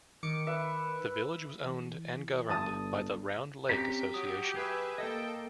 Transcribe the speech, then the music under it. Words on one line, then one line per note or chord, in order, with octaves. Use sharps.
The village was owned and governed by the "Round Lake Association".
D#3 D6 C#7
B4 E5
E3
G1 A5 D#6 A6
C4 C#4 G4 A#5 B6
F#3 D#6
G#4 B4 E5
A#3 A4 D#5 G5